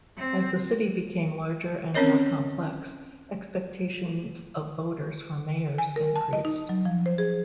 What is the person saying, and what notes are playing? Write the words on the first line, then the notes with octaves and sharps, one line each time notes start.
As the city became larger and more complex, expectations of voters for mayors increased.
C4
C4 C#4 A#4 C#5 D#5
G#5
A#4
A5
D#5
D#4
F#3
F3
C5
G#4